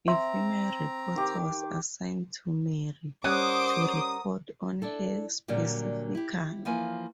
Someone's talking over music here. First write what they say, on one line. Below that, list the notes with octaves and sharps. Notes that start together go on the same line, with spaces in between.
A female reporter was assigned to Mary to report on her specifically.
C4 E5 A#5 C6
D#3 G4 D6
G3 C#4 A#4 C5 C#5 F#5 D6 D#6
D4 E4 A4
A#2 D3 F#3 G3 A#3
E4 G4
E3 F3 A#3 G#5